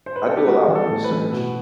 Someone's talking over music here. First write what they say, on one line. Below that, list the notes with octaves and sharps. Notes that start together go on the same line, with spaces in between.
I do a lot of research,
C5
B4
A4
G4
G3 F#4
E3
A4
A2
B4
E3
B2